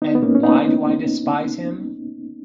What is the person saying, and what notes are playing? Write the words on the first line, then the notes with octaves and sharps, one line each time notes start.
And why do I despise him?
B3 D#4
B3
A#3 C#4
C#4
B3 D#4